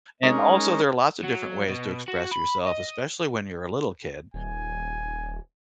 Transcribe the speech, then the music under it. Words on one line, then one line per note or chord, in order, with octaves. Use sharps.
and also there are lots of different ways to express yourself, especially when you're a little kid.
G#3 C#4 D#4 A#4
F#3
B2
F#4
B5
D#5
D#1 G#5